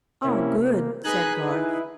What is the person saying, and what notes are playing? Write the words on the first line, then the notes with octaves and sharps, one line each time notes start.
"Ah, good!" said Garth.
C3 A#3 C#4 E4
A#3
D#4 G#4 B4 G#5 F#6
E4